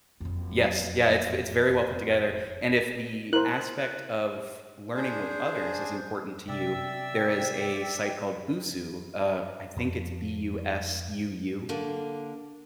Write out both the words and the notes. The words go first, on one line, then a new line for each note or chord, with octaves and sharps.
Yes, yeah, it's it's very well put together, and if the aspect of learning with others is important to you, there is a site called Busuu, uh, I think it's B-U-S-U-U.
F#1 F2
E4 A#4 C5 F#6
D4 G#4 C5
C3 D5 E5 G5 E6
F2 F3 A3
D3 A#3